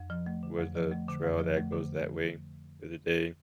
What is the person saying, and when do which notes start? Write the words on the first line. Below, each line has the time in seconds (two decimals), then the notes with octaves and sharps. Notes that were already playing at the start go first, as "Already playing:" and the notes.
was a trail that goes that way the other day.
Already playing: F2
0.10 F3
0.26 A3
0.43 D3
0.59 F2
0.75 F3
0.92 A3
1.08 D3
1.24 F2
1.40 F3
1.56 A3
1.72 D3